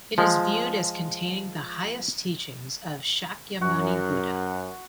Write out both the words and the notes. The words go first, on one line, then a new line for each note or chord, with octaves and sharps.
It is viewed as containing the highest teachings of Shakyamuni Buddha.
F3 G#3
F#2 F#4